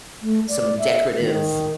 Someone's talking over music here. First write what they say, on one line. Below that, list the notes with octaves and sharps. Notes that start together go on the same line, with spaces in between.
some decorative
A3
D5
E5
D#3